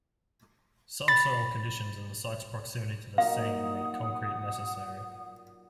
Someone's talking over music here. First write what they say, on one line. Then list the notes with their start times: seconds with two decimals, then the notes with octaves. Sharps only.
Subsoil conditions and the site's proximity to the Seine made concrete necessary.
1.08 B5 A6
3.18 A#2 F#3 D#4 F5 F#5 D#6